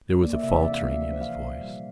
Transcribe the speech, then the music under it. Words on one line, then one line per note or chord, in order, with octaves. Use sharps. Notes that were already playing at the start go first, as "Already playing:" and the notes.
There was a faltering in his voice.
A#3 D5
E5
C3 E5
D5
E3 E5
F5
A#3 E5
E5
F3 D5
C5
C3 F5
A#2 C5
G3